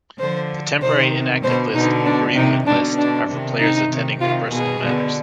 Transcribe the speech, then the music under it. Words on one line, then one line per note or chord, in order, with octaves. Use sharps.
The temporary inactive list and bereavement list are for players attending to personal matters.
D3 F3 C5
C3 D#3 C5
B2 D3 C5
B2 D3 D#4
D4
C3 D#3 D#4
B2 D3 D4
D4
C3 D#3
D#4
C3 D#3
C3 D#3 F4
B2 G#4
B2 D3